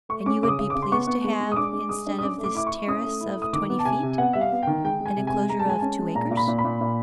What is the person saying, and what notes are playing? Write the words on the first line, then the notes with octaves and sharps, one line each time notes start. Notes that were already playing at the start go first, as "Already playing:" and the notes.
"And you would be pleased to have, instead of this terrace of twenty feet, an enclosure of two acres?"
A3 C#6
C#4 D6
C#3 D6
D#6
C#3
C#3 D6
C6
B3 C#6
B3
G#3
G#3
D#6
D4 D6
G#3
G#3 D#6
D4
D#6
C#4 D6
A3
D6
E4 D6
E4 C#6
C#4 D#6
A3
E4
A3
D#6
D#3 D6
B3
A5
C3 G#5
C3
B3 F#5
G3 E5
F5
B3
D#3 G5
G#3 G5
G#3
G#5
C3
G#5
G#3
G#3 A#5
A5
G#3 G#5
C#4 A5
G#3
A#2 A#5
A#2
B5
A#2
B5
A#2
A#2